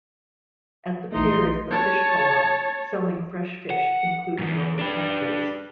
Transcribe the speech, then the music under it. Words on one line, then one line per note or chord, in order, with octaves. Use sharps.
At the pier is the fish co-op, selling fresh fish, including local catches.
A#1 E3 A3 D#4 C6
C#5 A5
F#5
E2 G#2
D4 B4